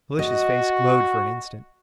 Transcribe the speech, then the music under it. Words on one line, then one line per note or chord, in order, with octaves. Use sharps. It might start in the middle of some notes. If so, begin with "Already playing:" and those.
Felicia's face glowed for an instant.
F#4 D#5